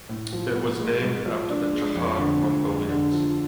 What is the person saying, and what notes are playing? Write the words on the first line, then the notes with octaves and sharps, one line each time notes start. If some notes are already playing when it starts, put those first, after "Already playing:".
It was named after the Chahar Mongolians.
A2
F3
B3
G#3
G#2
F3
D4
G#3
F2
D3
F2
G#3
D3
F3